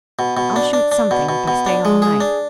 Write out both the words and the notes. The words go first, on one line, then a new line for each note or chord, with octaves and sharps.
I'll shoot something, if I stay all night.
B2
B2
D4
D4
D4
B2
B2
B2
D4
G#3
G#4
D4